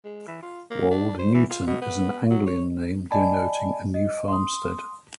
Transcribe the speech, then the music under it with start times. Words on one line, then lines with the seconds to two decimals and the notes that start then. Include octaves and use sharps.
Wold Newton is an Anglian name denoting a new farmstead.
0.04 G#3
0.28 E3
0.42 F4
0.70 A#3
0.91 D4
1.19 C5
1.34 E3
1.50 F4
1.67 B2
1.81 B3
2.30 F#3
2.46 C#5
3.11 D5 D#5 G#5 A5 B5
3.94 D#5
4.28 C6 D#6